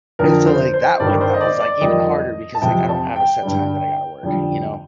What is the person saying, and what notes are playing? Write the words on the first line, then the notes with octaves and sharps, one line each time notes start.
and so, like, that one that one's, like, even harder because, like, I don't have a set time that I gotta work, you know?
F2 D3 F3 A#4
C5
C5
G2 D#3 G3 D5
C5
D#5
D5
D5
F2 D#3 G3 D#5
A5
F2 C3 F3 G5
A5
G5
G2 D3 G3
F2 D3 G3